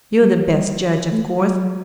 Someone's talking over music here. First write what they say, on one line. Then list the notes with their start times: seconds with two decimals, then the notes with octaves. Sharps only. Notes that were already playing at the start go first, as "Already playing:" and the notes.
You're the best judge of course.
0.22 G3
1.12 A3
1.41 F#3